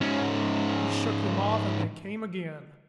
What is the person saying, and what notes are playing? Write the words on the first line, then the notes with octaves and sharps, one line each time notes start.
He shook them off--and they came again.
G#2 C#4